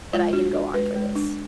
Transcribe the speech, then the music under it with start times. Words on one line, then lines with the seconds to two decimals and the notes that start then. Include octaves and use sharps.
that I can go on for this.
0.13 G#3 F4
0.33 D4 F#4
0.54 D4
0.74 G#3 B4
0.95 G#3
1.16 D4